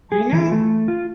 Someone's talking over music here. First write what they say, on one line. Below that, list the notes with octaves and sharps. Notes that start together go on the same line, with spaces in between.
I know.
G#4
E3
A3
F4